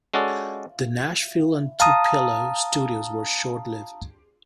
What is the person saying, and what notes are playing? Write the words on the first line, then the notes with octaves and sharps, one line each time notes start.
The Nashville and Tupelo studios were short-lived.
G#3 C#4 F#4 A4 D5
F5 A5 A#5 D#6